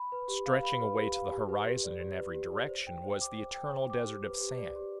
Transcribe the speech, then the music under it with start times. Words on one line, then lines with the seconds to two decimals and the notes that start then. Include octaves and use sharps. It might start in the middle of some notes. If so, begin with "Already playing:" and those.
Stretching away to the horizon in every direction was the eternal desert of sand.
Already playing: B5
0.12 B4
0.28 G4
0.46 F5
0.63 B5
0.80 B4
0.98 G4
1.14 F5
1.32 G4
1.49 B4
1.66 G4
1.84 D5
2.00 G4
2.17 B4
2.34 G4
2.52 D5
2.68 C5
2.87 G5
3.03 C5
3.21 D6
3.38 C5
3.54 G5
3.73 C5
3.90 D6
4.06 G4
4.24 B4
4.41 G4
4.58 D5
4.76 G4